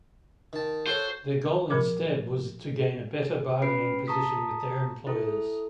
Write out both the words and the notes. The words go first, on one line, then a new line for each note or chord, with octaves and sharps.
Their goal was instead to gain a better bargaining position with their employers.
D#3 A5
F#4 A4 C5 C#5
A#2 F3 A#4 D6
C#4 B4 B5 C7 D7
A5 A#5 C#6 D#6 B6
E4 A4